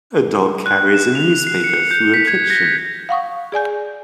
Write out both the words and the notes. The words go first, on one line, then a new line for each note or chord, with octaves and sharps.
A dog carries a newspaper through a kitchen.
F#6
E7
F7
C7
C#7
G6
B6
G#6
A#6
F5 F#5 C#6 D#6
G#4 D5 G#5 G6